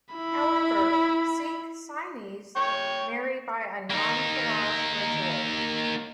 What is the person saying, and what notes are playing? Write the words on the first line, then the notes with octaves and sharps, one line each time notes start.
However, Sikh Sainis marry by Anand Karaj ritual.
E4 B5
C#5 G5 C#6
A#3 D#4